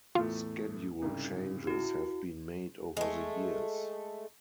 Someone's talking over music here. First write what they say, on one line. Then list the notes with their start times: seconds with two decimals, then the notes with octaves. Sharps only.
Schedule changes have been made over the years.
0.15 E2 A2 A3 F4
1.02 C2 G#2 C#3
1.67 E4 F#4
2.97 G#3 A3